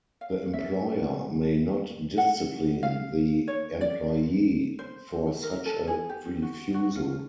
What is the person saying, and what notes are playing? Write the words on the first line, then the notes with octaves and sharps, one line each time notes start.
The employer may not discipline the employee for such a refusal.
F5
E5
F#5
F5
C#5
D5
C5
A#4
A4
G#4
G4
F#4
F#4
F4